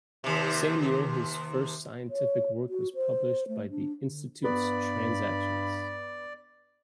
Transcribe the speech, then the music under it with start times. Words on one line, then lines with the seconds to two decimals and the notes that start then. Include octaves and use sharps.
Same year his first scientific work was published by the institutes "Transactions".
0.24 D#2 C3
2.10 C#5
2.69 F#4
2.95 C5
3.48 A3
3.70 D4
4.02 D3
4.44 G2 B3 D5 B5